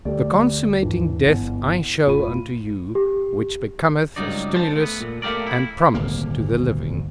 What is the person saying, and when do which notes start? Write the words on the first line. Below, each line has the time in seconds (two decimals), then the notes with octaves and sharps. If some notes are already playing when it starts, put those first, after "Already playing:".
The consummating death I show unto you, which becometh a stimulus and promise to the living.
0.05 D2 A3 G4 D5
0.83 D#2 G#2 E3 D4
1.26 G1 B3
2.07 F1 A2 F4 B5 D#7
2.95 G4
4.16 C#2 G2 F#3 D#4 D5
4.55 C5 A5
4.76 A3 B3
5.01 A#2
5.22 A3 A#3 G4 A#4 D5
5.47 E4
5.94 D#1 G#1 D2 A#3